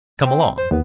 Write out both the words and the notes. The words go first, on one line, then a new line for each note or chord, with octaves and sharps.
"Come along."
C4
C5
D#2 B3